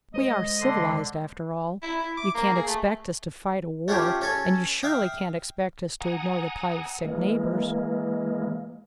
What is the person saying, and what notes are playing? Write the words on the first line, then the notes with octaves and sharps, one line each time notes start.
"We are civilized, after all. You can't expect us to fight a war--and you surely can't expect us to ignore the plight of sick neighbors?"
G#3 C5 D#5 D#6
D3 C6
E4
E4
D6
A#3
G#4
A3
A3 C#4 F4 G4 G5
C#4 A4 G#5
E5 F5 G5 D#6
F#5 G#5 A#5 D#6
E3 G#3 A#3